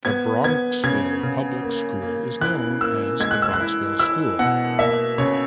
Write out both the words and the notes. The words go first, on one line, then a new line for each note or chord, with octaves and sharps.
The Bronxville Public School is known as The Bronxville School.
B3 G#6
B3 G#6
C#3 G#6
C#3
A#3
A#3
E4 F#6
A#3 E6
G#3 G#6
F#6
E6
F#6
E4
E4 E6
B2 F#5
A#3 E5
C#3 C#5